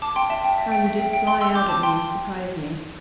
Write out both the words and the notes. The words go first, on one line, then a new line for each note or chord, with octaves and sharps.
How you did fly out at me and surprise me.
A5 D6
G5 C6
E5 A5
G5
E5
G5
E5
G5
G5
G5 C6
C6 E6
D6 G6
A5 D6
G5 C6